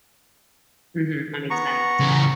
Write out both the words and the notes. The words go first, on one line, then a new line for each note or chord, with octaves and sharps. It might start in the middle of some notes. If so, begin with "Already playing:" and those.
Mhm, that makes sense.
B3 A#5 C#6
C#3 E3